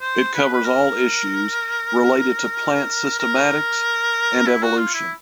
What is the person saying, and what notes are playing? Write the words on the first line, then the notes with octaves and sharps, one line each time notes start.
It covers all issues related to plant systematics and evolution.
C5
B4
B4
A#4
A#4
E4
F#4
F4
E4